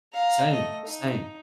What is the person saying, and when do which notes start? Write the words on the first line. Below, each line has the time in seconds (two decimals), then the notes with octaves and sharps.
Same, same.
0.13 F5 A#5
0.50 A3 D#5
0.86 D#4